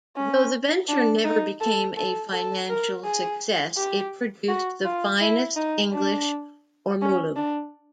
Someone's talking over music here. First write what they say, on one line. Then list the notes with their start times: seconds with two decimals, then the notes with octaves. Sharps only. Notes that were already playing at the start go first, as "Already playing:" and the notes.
Though the venture never became a financial success, it produced the finest English ormolu.
0.17 C#4
0.89 D4
1.25 D#4
1.61 A4
1.97 A4
2.33 A4
2.69 A#4
3.05 G#4
3.77 G4
4.48 F#4
4.85 F4
5.22 E4
5.57 D#4
5.93 D4
7.01 C#4
7.37 D4